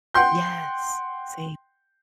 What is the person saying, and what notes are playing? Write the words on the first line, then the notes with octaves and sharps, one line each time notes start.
Yes. Same.
F#5 G5 C6 G6